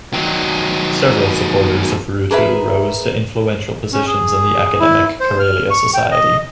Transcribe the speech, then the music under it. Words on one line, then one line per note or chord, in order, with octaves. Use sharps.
Several supporters of Ruutu rose to influential positions in the Academic Karelia Society.
D#3 F#3
G#4 A#4 B4 E5
C#4
G#4
E4
C5
F6
C#6
G5
D#5